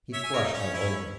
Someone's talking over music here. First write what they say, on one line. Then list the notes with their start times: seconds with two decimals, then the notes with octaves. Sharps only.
He flushed all over.
0.13 C#5 E5
0.23 E5 G#5
0.33 A#4 C#5
0.43 D#4
0.53 C#4
0.73 C#4 E4